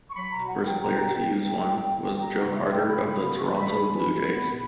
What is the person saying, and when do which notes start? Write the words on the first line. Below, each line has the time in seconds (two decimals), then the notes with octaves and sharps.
The first player to use one was Joe Carter of the Toronto Blue Jays.
0.11 C#6
0.16 F#3 B5
0.33 B2 A#5
0.49 E4 F#5
0.67 F#3 G5
0.83 B2 A#5
1.01 B2 G5
1.18 A#3
1.36 G3
1.52 G3
1.69 E4
1.86 A#3
2.03 E4
2.21 G3 A#5
2.37 C#3 F#5
2.54 E4 E5
2.71 C#3 G5
2.88 E4 B5
3.05 C#3 B5
3.22 B3 B5
3.39 E3 C#6
3.56 E3 B5
3.73 D4 B5
3.91 E3
3.99 B5
4.08 E3
4.25 B3
4.42 A#2